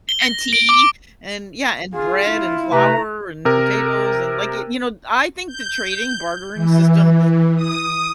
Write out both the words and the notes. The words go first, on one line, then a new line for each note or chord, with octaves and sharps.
and tea, and yeah, and bread and flour and potatoes and like, it you know, I think the trading, bartering system
G7
A#6
D7
D6
F4 G#4
E4
C3 A3 B4 A#5
C3 A#4
G6
E3
D#6